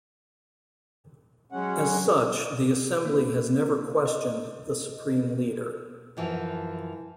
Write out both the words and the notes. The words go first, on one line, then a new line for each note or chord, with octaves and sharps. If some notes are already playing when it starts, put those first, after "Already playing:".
As such, the Assembly has never questioned the Supreme Leader.
F#3 G#3 C#4 F#5
A#3
D#5
F#2 E3 F3